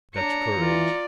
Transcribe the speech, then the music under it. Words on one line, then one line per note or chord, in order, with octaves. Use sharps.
Dutch courage.
D4 C#5 A#5 C#7
E3 F4 D5